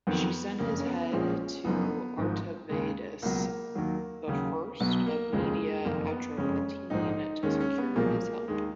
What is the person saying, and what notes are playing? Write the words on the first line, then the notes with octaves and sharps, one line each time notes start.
She sent his head to Artavasdes I of Media Atropatene to secure his help.
F2 D#3 F#3 B3
F#1 F2 C#3 A#3
C#4
B3
A#1 A#2 F3 G#3 C#4
F#1 F#2 F3 B3
G#1 G#2 F3
D#2 C#3 G#3
C#2 B2 F#3 A#3
D#2 D#3 F#3
D#2 C#3 F#3
B1 B2 F#3 B3
A#3
F1 D#2 C#3 F3 G#3
F#1 F2 D#3 A#3
B3
F#1 F2 C#3 G#3 C#4
A#1 G#2 F3 D#4
D#2 D#3 G#3 C#4
C#4
B3
B1 A#2 F3 G#3 A#3
D#2 D#3 G#3